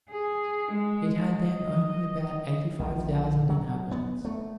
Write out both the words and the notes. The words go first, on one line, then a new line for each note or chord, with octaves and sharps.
It had then only about eighty-five thousand inhabitants.
G#4
G#3
D#5
A#1
F#3
B3
A3